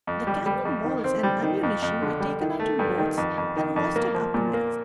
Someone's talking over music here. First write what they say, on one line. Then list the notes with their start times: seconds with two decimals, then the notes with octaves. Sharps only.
The cannon balls and ammunition were taken out in boats and hoisted up in nets.
0.07 F2
0.27 G3
0.46 G3
0.65 F2
0.84 D#3
1.04 C4
1.23 G3
1.43 D#3
1.63 F2
1.82 F2
2.02 D3
2.20 G3
2.41 D#3
2.59 A3
2.79 G2
2.98 D#3
3.18 F2
3.38 F2
3.57 D#3
3.76 F2
3.96 A#3
4.15 F3
4.34 A#2
4.54 A#3